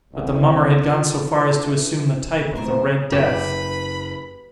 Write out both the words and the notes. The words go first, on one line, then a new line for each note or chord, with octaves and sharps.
But the mummer had gone so far as to assume the type of the Red Death.
C2
F4 A4
E3
F2 A2 C4 A#4 C5
F#1 G4 B4 E5 B5